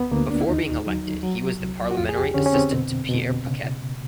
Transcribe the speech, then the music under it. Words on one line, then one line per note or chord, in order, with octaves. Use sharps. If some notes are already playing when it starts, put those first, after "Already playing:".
Before being elected, he was the parliamentary assistant to Pierre Paquette.
Already playing: D2 B3
D2 A#3
D4
E4
D#2 D#4
F#3
F#3
C2
F#4
F2 F4
G#4
G4
D3 C#4
C#4
C4
B2
B2
C#3